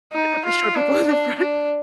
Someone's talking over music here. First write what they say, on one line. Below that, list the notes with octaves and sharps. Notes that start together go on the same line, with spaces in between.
They put the short people in the front.
D#4
F4
D4
D4
D4